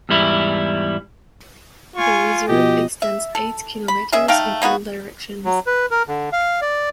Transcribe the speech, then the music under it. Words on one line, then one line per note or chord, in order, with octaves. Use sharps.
The reserve extends eight kilometers in all directions.
E2 G#2 G3 E4
F4 G#5 C#6
B2 F3 G4 D#5
E5
A4
B5
C#4 G#4 D#5 E5
A3 D#4 F5 G5
A#3 B3 D#4 F#4
F#3
B4
A#4
D3
F5
D5